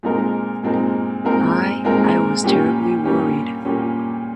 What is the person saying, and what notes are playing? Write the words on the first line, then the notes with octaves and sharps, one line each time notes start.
I—I was terribly worried.
A#2 G#3 C4 D#4 A#4
A#2 G#3 C4 D#4 A#4
A#2 G#3 C4 D#4 A#4
A#2 G#3 C4 D#4 A#4
A#2 G3 A#3 C#4 G4
A#2 G3 A#3 C#4 G4
A#2 G3 A#3 C#4 G4